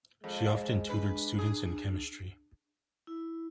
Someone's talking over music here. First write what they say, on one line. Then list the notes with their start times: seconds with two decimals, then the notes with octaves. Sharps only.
She often tutored students in chemistry.
0.24 F2 G#3
0.89 D4 B4
1.39 G#4
3.07 E4